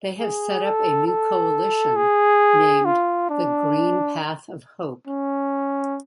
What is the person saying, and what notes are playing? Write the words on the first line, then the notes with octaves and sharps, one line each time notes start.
They have set up a new coalition, named The Green Path of Hope.
G#4
A4
A4
G#4
F4
D4
C#4